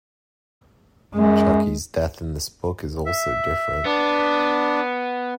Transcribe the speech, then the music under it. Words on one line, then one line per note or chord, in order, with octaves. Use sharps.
Chucky's death in this book is also different.
F#2 G#3
E5
B3 D4